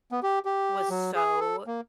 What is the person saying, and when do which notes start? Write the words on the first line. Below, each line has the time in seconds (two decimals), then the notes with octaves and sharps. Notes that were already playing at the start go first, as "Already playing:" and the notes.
was so
0.12 B3
0.23 G4
0.45 G4
0.90 F#3
1.15 G#4
1.40 A4
1.67 A#3